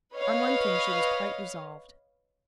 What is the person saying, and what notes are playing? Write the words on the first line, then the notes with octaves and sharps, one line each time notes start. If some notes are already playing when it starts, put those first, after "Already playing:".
On one thing she was quite resolved.
B4 C#5 D#5 F5